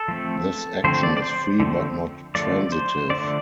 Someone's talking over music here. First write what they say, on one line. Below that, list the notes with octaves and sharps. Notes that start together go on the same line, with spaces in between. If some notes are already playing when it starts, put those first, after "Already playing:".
This action is free but not transitive.
Already playing: A4
F3 A3 C4
D3 F3 A3 C4 C5
D5
D5
C5
D3 F3 A3 C4
D3 F3 A3 D5
C5
D3 F3 A3 D5